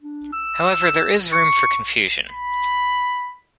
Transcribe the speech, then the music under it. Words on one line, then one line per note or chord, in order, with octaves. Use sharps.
However, there is room for confusion.
D4
E6
C#6
B5